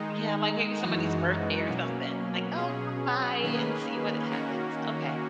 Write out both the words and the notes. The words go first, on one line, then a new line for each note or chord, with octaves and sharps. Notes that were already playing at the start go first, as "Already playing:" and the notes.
Yeah, like, maybe somebody's birthday or something. Like, "Oh, come by and see what happens." Okay.
Already playing: D#3 G#3 D#4
F#2 E3 G#3 D#4 F#4
B2 F#3 A#3 C#4
B2 F#3 C#4 G#4
D#3 A#3 C#4 G#4 B4
D#3 A#3 C#4 F#4